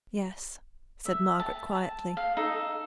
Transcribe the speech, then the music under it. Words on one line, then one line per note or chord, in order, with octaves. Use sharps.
'Yes!' said Margaret, quietly.
E5
A5
A5
F5
D#4 A4